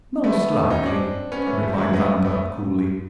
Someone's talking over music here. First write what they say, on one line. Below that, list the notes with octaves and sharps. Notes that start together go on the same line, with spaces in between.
"Most likely," replied Vampa coolly.
A3 B3
C#4 D#4
C4 D4
B3 C#4
A3 B3
G3 A3
A3
F#3 G#3
A3 B3
A3 B3